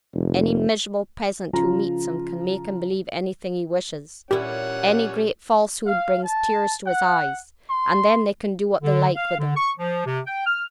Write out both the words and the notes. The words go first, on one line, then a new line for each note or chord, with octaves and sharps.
Any miserable peasant who meets him can make him believe anything he wishes. Any great falsehood brings tears to his eyes, and then they can do what they like with him.
F1
C#3 F3 F4 A#5
A#2 G3 C#4 E4 G4 C#5 F#5
F5
A5
F#5
C6
D3
F5
D3
C#6
F3
C3
G5
F6